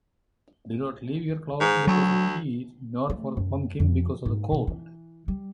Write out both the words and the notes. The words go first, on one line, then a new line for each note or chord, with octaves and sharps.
Do not leave your cloak because of heat, nor for the pumpkin because of the cold.
G#2
D2 F#3
A3
F#2
F2
G#2
B2
E3
G3